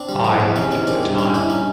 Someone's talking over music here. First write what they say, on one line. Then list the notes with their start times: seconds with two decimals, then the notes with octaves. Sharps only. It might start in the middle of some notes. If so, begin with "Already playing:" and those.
Aye, in good time.
Already playing: C4 D4
0.09 G3
0.25 F3
0.40 E2
0.56 C3 C#4 D#4
0.71 E2 C#4 D#4
0.87 D#3 C4 D4
1.03 G2
1.18 G2 C#4 D#4
1.34 G2 D4 E4
1.50 C#4 D#4